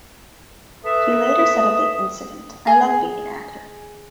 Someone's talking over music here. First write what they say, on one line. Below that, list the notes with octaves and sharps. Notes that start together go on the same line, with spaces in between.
He later said of the incident: I love being an actor.
A4 B4 E5 D#6
G#4